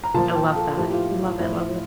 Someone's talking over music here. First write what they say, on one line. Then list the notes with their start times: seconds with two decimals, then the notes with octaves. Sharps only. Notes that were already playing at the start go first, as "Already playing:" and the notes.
I love that, love it, love it.
0.04 A#5
0.14 A#2 F3 A5
0.36 G5
0.56 A4
0.77 A2 F3 G4
0.87 G4
0.93 F4
1.24 F4
1.40 A2 F3